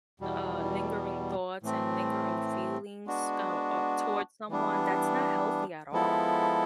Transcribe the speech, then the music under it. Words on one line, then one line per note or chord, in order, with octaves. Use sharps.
uh, lingering thoughts and lingering feelings, uh uh, towards someone that's not healthy at all.
E2 B2 G3
A2 E3 A3 C4
G#3 B3 D4 F#4
E3 G3 B3 D4
F3 G#3 B3 E4 A4